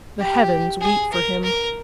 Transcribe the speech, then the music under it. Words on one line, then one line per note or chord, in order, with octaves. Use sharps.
The heavens weep for him.
G4
G#4
A#4
A#4